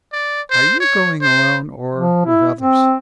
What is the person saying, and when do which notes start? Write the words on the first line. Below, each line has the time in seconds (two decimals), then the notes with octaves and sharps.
"Are you going alone or with others?"
0.13 D5
0.51 C5
0.80 C#5
1.22 C5
1.95 F3
2.26 E4
2.59 C4